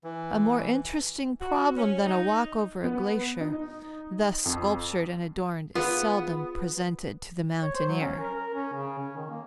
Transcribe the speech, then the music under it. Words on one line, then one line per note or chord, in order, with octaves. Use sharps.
A more interesting problem than a walk over a glacier thus sculptured and adorned is seldom presented to the mountaineer.
E3
F#4
C#4
D#4
B3
D#4
F2
B3 F4 G#4 F5
C#5
C5
F#3
C#4
A#4
A#4
C#4
C#3
C#4
D#3
A#3